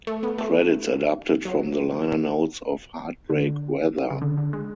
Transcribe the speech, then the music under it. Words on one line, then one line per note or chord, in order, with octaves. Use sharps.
Credits adapted from the liner notes of "Heartbreak Weather".
A3
B3
A3
F#3
D3
C#3
D3
D3
G#3